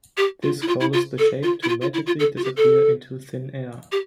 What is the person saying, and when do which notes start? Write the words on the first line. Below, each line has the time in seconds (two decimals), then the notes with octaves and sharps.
This causes the shape to magically disappear into thin air.
0.17 G4
0.43 F4
0.62 E4
0.68 F4
0.80 E4
0.93 F4
1.19 A4
1.43 F4
1.63 E4
1.68 F4
1.81 F4
1.94 E4
2.06 F4
2.19 A4
2.37 F4
2.44 G4
2.57 A4
3.92 G4